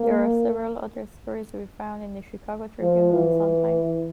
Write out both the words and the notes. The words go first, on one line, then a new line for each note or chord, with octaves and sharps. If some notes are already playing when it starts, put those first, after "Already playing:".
There are several other stories to be found in the Chicago Tribune and Sun-Times.
Already playing: A#3
F3
E3